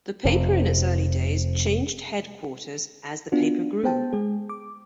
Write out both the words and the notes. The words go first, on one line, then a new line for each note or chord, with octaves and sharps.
The paper in its early days changed headquarters as the paper grew.
F1 F2 C3
B3 D4 F4 F#4
B3 C5 G5 A5
G#3 G#4
D6